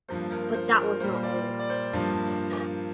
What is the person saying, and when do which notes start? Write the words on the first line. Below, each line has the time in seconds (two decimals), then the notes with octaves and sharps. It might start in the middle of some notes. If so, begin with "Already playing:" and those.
But that was not all.
0.08 G2 F3 A#3 C5
0.32 A#4
0.54 C5
0.78 A#4
1.00 A#2 G3 A#3 C5
1.23 D5
1.59 D5
1.70 C5
1.93 G2 F3 A#3